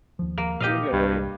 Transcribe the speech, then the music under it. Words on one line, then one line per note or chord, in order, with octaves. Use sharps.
Doing good, how are you?
D#2 F3
A#3
A#2 G4 D#5 F5
C2 G2